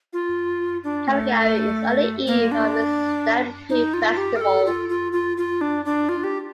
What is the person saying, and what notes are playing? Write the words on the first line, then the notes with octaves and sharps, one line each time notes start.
Calgary is on the eve of its Stampede festival.
F4
D4
A3
A#3
D4
D#4
F4
G4
A#4
A4
F4
F4
F4
F4
D4
D4
F4
G4